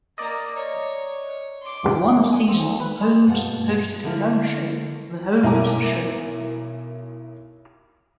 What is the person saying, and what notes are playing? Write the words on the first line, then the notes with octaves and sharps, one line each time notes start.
For one season, Holmes hosted her own show, "The Holmes Show".
A#3 D5 D#5 A#5
C#5
C6 D6
F#2
G#5
C4
D2
B4
G#3
G2 B2 F4 F#5
D3 G#3 A3 D4 E4 A#4
B1 E4 A#4 G#5 A#5 D6